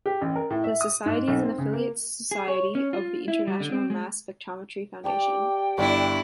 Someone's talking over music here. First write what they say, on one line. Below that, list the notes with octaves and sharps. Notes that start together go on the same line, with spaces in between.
The society is an affiliate society of the International Mass Spectrometry Foundation.
G4
A1
A#4
A2
E5
D#6
G#2
B1
C4
C#3
A#3
G#4
C#5
C#4
F4
E4
G3
D3
C4
G#3
G4 D5 G5 A5
G1 D4 E4